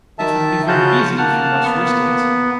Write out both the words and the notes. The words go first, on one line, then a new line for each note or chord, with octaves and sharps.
"It would be very easy if you much wished it?"
D#3 E5 A5
C#3 F4 F#4 F5 A5 G6
A#3 F#5 A5 F6
B3